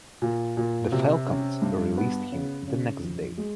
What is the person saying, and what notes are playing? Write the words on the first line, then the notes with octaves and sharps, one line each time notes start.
The Falcons released him the next day.
A#2
A#2
C3
C#4
G2
B3
C#3
C#3
F2
G#3